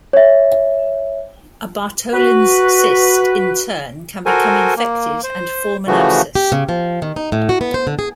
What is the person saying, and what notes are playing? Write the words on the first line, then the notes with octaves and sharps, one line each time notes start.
A Bartholin's cyst in turn can become infected and form an abscess.
C#5 E5
F#4 B4
F#4 A4 A#4 C5 G#5
A#3
C5
C#3 E3 F3 A3 F#4
G4
C#3
F3
D#3
D#4
A2
F#4
B3
C5
D3
G#4